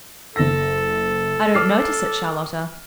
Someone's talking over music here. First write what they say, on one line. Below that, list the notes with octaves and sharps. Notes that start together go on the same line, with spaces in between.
"I don't notice it, Charlotta."
F#1 A4 A#6
D6 F6 C7